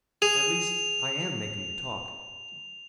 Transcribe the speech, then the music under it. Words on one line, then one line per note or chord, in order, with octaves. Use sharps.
At least, I am making you talk!
G#4 F7